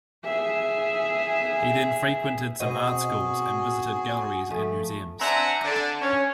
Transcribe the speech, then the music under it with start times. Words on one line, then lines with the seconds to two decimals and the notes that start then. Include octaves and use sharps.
He then frequented some art schools, and visited galleries and museums.
0.24 G#4 E5
2.60 B2 C4 F#4 G#4 D#5
4.50 F3 A3
5.20 C4 D4 E5 F#5 G#5 A#5
5.64 D3 D4
6.01 C#4 C#5